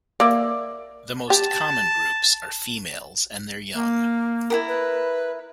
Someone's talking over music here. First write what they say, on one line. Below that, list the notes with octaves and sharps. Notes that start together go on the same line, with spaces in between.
The most common groups are females and their young.
A#3 D5 E5
G4 A5
A#3
E4 G4 A#4
B4